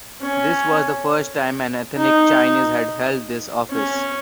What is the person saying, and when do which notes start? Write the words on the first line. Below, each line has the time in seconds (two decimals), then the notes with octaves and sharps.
This was the first time an ethnic Chinese had held this office.
0.22 C#4
1.97 D#4
3.71 C#4